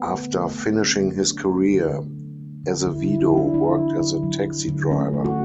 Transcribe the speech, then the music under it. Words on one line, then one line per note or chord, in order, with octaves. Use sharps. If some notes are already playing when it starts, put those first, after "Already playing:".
After finishing his career, Azevedo worked as a taxi driver.
Already playing: A3 B3
D3
A3
A3
D3 C#4
A3
D4
F#3
A3
D3
A3
F#3
A3
D3
D3 E4
E4
D3
E4
F#3
D4
D3 E4
F#3
D3
F#3
F#3
D3
A3 C#4
A3
F#4